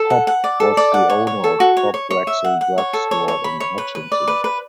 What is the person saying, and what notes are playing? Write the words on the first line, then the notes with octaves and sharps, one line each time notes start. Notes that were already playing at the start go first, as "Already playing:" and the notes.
Popp was the owner of Popp Rexall Drug Store in Hutchinson.
Already playing: A4
F#5
F#5
D5
A4
D5
F#5
C#5
C#5
A4
F#4
C#5
C#5
C#5
E5
F#5
F#5
C#5
A4
C#5
C#5
B5
C#5
B4
B4
D5
B4
B4